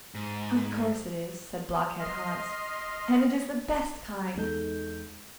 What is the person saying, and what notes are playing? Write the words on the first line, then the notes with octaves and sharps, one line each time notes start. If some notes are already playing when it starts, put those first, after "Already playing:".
'Of course it is!' said Blockhead-Hans, 'and it is the best kind!
G#2
D#5 C6 F6
E2 G#3 D#4 A4 G6